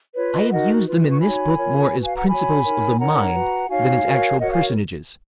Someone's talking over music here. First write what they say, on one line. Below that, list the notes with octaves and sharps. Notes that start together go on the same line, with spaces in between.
I have used them in this book more as principles of the mind than as actual personages.
F4 B4 C#5
D#5
D#4 F#4 A#4 D#5 F#5
F4 B4
C#6
D#4 F#4 C#5 G#5 B5
F4 A#4 C#5
F#4 B4
F5 G#5
F#5 A#5
F#4 C#5 G#5 B5
D#4 A#4 C#5
D#4 A#4 C#5 F#5 A#5
F#4 B4
D#4 F#4 C#5 F5 G#5
F#4 A#4 C#5
F#4 A#4 C#5 D#5 F#5
F5 G#5